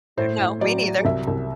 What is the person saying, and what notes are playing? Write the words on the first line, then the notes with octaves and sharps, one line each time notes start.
Uh, no, me neither.
A2 C5
A2
F#3 D5
F#3
C2 E5
C2